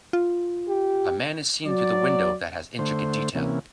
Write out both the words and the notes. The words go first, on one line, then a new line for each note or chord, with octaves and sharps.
A man is seen through the window that has intricate detail.
F4
G4
F#3 D5
D3 A3 C5
C3 E3 A#3 C#4